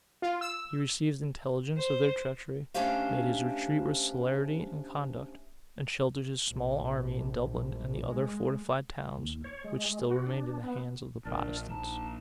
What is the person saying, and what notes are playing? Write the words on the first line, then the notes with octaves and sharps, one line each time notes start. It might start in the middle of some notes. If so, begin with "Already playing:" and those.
He received intelligence of their treachery, made his retreat with celerity and conduct, and sheltered his small army in Dublin and the other fortified towns, which still remained in the hands of the Protestants.
F4
E6
C5
A3 C#4 D4 G4 C5 F5
A#1
G#3
D#2
C#5
G#3
F#4
D4
B3
A#1 D4 A#4 D5
A#1 D#4 A5